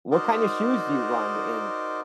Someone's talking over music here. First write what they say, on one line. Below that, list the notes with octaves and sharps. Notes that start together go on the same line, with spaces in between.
What kind of shoes do you run in?
D#4 F#4 A#4 C5 D5 D#5